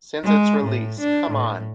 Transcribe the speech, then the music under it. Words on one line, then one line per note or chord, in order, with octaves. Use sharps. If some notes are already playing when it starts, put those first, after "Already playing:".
Since its release, Come On!
G#3
A2
D4
A2